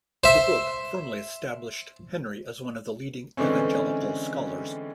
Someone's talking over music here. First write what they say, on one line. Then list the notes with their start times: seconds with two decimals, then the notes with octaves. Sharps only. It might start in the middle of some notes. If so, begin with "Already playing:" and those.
The book firmly established Henry as one of the leading Evangelical scholars.
0.24 C5 E5
3.37 D3 E3 G#3 A3 C4 C#4